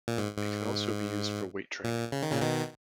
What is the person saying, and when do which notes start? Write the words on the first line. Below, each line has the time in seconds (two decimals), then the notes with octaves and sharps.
It can also be used for weight training.
0.08 A#2
0.18 G#2
0.37 G#2
1.84 A#2
2.12 C#3
2.23 D#3
2.32 A#2 C#3
2.42 B2 D#3